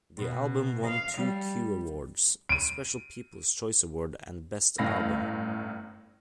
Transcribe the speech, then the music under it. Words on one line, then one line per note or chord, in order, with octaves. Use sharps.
The album won two Q Awards: a special People's Choice Award and Best Album.
B2
F5
G3
D7 D#7
G1 F#2 A2 F5 B5 A#6